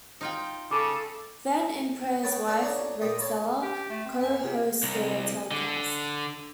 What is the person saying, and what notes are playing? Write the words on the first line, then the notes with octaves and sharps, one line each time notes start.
Van Impe's wife Rexella cohosts the telecast.
D#4 F4 G5
C#3 A4 D6
G#4 B4 C#5 G5 A5
D4 G#4 A4
D4 D#4 A4 C#5
A#2 D#5 G5 D#6
E4 A4 C#5 A5
G4
A3
C4
F#2 B4 G#5
C3 F4 G#4
C2
D3